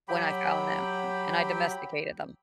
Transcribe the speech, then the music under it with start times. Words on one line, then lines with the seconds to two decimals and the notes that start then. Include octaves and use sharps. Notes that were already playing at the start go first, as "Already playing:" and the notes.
when I found them and I domesticated them.
0.08 F#3 G4 G5 B5